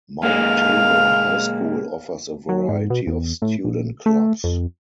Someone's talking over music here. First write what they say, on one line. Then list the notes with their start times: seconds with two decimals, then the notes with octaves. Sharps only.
Mount Tabor High School offers a variety of student clubs.
0.23 A#2 G#3 A#3 F5
2.49 F#3
2.68 G#2
2.90 B2
3.07 E2
3.42 A2
3.65 A#1
4.06 A3
4.44 F2